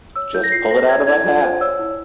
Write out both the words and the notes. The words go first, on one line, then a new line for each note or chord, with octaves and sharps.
Just pull it out of a hat.
C#5 E6
E4 G6
A#6
F4 C7
C5 A#6
C#5 G#6
E4 G#6
F4
C5
C#5 E6
E4